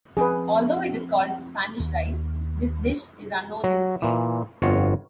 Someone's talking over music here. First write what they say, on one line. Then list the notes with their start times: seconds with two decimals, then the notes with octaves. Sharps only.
Although it is called "Spanish rice", this dish is unknown in Spain.
0.17 F3 C4 G#4 B4
1.80 D#2
3.64 F#3
4.02 A#2 E3
4.62 G1 F2 F4 F#4 C#5